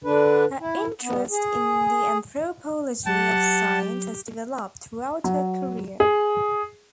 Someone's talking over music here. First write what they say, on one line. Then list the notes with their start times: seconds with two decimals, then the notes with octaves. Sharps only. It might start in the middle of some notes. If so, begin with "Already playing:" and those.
Her interest in the anthropology of science has developed throughout her career.
0.04 D3 D4 B4
0.60 E4
1.02 B3
1.31 G#4
3.06 F#3 G4 F#5 A5
5.24 F#3
6.00 G#4